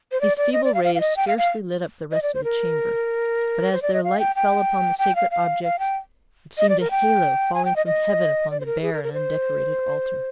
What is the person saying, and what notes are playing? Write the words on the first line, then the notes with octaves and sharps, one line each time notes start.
These feeble rays scarcely lit up the rest of the chamber, but as their light fell upon the sacred objects it seemed a halo falling from heaven upon the bare and undecorated altar.
C5
D5
D5
D#5
D5
F5
F5
F5
D#5
G5
F5
F5
D#5
D5
C5
A#4
C5
D5
D#5
F5
G5
G5
G5
F5
F5
F5
G5
D#5
D5
A#4
G5
G#5
G5
D#5
D#5
D5
C5
A#4
G#4
A#4
A#4
C5